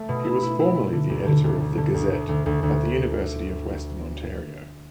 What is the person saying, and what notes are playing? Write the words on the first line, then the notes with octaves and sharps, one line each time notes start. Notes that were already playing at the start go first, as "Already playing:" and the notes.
He was formerly the editor of the "Gazette" at the University of Western Ontario.
Already playing: A3
B2
E4
E4
E4
E4
D3
D2
D3
D2
D2
D3
D2
D2
D2
D2
D2